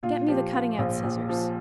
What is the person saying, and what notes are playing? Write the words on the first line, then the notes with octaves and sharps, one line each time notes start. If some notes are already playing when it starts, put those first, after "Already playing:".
Get me the cutting-out scissors.'
A#2 F4
F3 G4
F3 F4
A#1 F4
A#1
F3